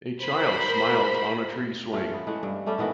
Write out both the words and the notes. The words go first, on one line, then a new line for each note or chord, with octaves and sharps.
A child smiles on a tree swing.
A#4 C5 B5
A3 C#4 F4
B3
E3 G#3 A3 F#5
G2
G3 A3 C#4 A4
D#3 E3 B3 F#4